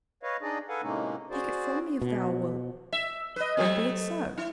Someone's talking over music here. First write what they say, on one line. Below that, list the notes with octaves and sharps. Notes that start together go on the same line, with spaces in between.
Take it from me if thou wilt--well be it so!
B4 C#5 D#5 F5
D4 D#4 G#4 D5 D#5
A4 B4 F5 F#5 G#5
A2 C3 G#3 A#3 C#4 D#4
F#4 G#4 C5 D5
B2
E5
B4 D#5
F#3 A3 C4
E4